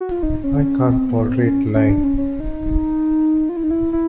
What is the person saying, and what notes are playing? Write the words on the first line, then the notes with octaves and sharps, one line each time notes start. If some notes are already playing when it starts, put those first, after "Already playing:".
I can't tolerate lying.
F#4
F4
D#4
C#4
C4
B3
C4
C#4
C#4
D4
C#4
C#4
D#4
F4
E4
D#4
E4
E4